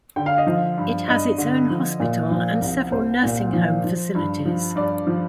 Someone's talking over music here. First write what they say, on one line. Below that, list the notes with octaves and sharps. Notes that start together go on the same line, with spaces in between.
It has its own hospital and several nursing home facilities.
D3 G5
F5
D#5
F3 F5
G2
G2 D#5
D3
F3
A#2
F3
C2
C2 C5
A#2
F3
F3
G2
F3
G2 D5
F3